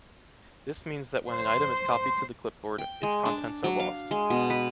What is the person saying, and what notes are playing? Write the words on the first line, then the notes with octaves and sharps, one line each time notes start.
This means that when an item is copied to the clipboard, its contents are lost.
C5
G5
G#3
D4
F#3
F5
G#3
B2
B4